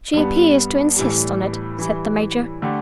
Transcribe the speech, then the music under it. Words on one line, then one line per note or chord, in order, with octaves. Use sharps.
"She appears to insist on it," said the Major.
G2 G3 B3
A2 E3 G3
E3 G3 E4
D3 A3 G4